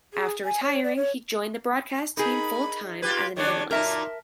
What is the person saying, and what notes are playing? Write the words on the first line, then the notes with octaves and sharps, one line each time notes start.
After retiring, he joined the broadcast team full-time as an analyst.
G#4
G#5
C#5
D5
C#5
D#4 G#4 A#4 B5
F4 G4 B4 G#6
D#3 G3 D4 C#5
F#2 A#2 D#4 A#4 E5 A5 A#5